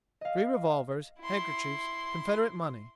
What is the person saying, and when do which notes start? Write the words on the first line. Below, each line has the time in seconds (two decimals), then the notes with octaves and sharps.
Three revolvers, handkerchiefs, Confederate money....
0.21 D#5 F5
1.20 E4 C6